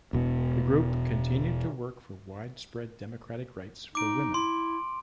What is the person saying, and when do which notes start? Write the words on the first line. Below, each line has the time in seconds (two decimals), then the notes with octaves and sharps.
The group continued to work for widespread democratic rights for women.
0.13 E1 B2 B3
3.95 D#4 D6 D7
4.34 E4 C6